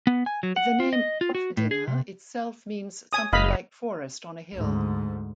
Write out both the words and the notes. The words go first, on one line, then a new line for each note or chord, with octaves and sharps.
The name "Uppvidinge" itself means something like forest on a hill.
B3
G#5
F#3
F#5
F4
D#5
F4
F#4
A2
G#4
C3
G#5 D#6
F#1 D#5 F5 B5
D2 G#2